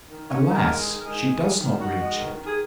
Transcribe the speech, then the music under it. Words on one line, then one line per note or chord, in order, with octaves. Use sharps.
Alas, she does not reach it!
D#3
C#4 D#4 C#5
G#3
A#3 A#4
D#3
G#3 G#4
D#3
A#4
G#3 D#4 G#4
G#3
D#3
D#3
D#4 F#4
G#3
D#3
D#3
G#4